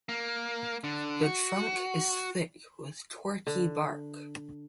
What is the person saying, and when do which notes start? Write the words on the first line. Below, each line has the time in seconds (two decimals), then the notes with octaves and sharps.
The trunk is thick with corky bark.
0.09 A#3
0.84 D3
1.23 F#4
3.47 D3